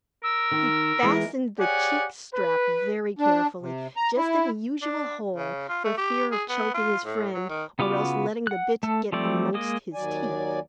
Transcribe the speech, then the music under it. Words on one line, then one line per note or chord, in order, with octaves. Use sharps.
He fastened the cheek-strap very carefully, just in the usual hole, for fear of choking his friend, or else letting the bit get amongst his teeth.
A#4 E6
D#3
E3 G#3 B3
G4 G#4 C#5 D5 F#5 G#5
B4
D4
C3
A#5
E4
D4
C#3
F4
A3
G4
G#4
B3
F4
A2
F#3
D#3
C#3 B3 F4 F#4 D6
F#5 F#6
A3 A4
F3 G3 A3 C4 D5
G#3 A#3 D#5
D#2 F#3 D5 G#5